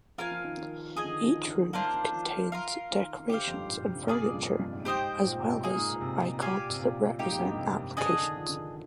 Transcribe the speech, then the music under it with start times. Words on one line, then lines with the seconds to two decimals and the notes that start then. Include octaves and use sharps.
Each room contains decorations and furniture, as well as icons that represent applications.
0.18 F3 F4 A#4 F5 G#5
0.31 F3
0.44 D#3
0.57 D#3
0.96 F3 G#4 D#5 G#5
1.04 D3
1.09 D#3
1.22 F3
1.35 D#3
1.47 D3
1.61 D3
1.73 D#3 A#3 D4 F4 C5
1.94 D#3
2.12 F3
2.52 F4 A#4 F5
2.91 D#3
3.19 D#3
3.29 D3 G4 C5 F5
3.47 F2
3.54 G2
3.61 G#2
3.69 A#2
3.82 C3
3.94 D3
4.07 C3 F4 G#4 D5
4.20 A#2
4.29 F2
4.34 G2
4.47 F2
4.59 G2
4.73 G#2
4.85 G#2 G4 C5 D#5 G5
5.19 G#2
5.24 A#2
5.37 C3
5.50 C3
5.63 A#2 A#3 D#4 G#4
5.76 G#2
5.89 A#2
6.01 C3
6.14 A#2
6.41 G4 D5 F5 G#5
6.69 C3
6.80 A#2
7.19 G#2 A#3 D#4 G4
7.32 F2
7.39 G#2
7.45 G2
7.58 C3
7.97 D3 D4 G#4 D#5 G#5
8.10 D3
8.22 D#3
8.36 F3
8.49 D3
8.56 D#3